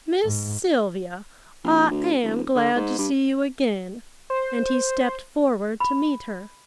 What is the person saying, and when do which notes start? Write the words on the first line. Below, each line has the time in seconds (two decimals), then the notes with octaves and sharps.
"Miss Sylvia, I am glad to see you again," and he stepped forward to meet her.
0.25 G#2
1.64 A#1
1.90 D2
2.23 D#1
2.55 D3
2.75 G#2
2.98 G2
4.30 C5
5.80 B5